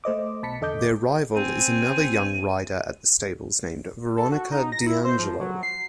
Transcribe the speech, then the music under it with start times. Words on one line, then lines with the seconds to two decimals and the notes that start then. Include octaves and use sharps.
Their rival is another young rider at the stables named Veronica DiAngelo.
0.04 A3 C5 D#5 D6
0.43 B1 B2 A5 B5 B6 C#7
0.61 E2 D3 A4 D#5 D6 G6
1.35 C4 G#5 D#7
4.17 A4
4.32 F#4
4.52 D#4
4.72 A#6
4.87 E4
5.05 C5
5.18 F3
5.41 F#3
5.63 C7